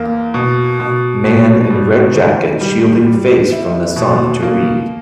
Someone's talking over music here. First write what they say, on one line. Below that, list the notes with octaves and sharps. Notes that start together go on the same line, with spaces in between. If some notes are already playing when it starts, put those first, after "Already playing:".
Man in red jacket shielding face from the sun to read.
Already playing: E2 A#3
B2
B2
B2
G3
D#3
G3
G3
E4
B2
A#3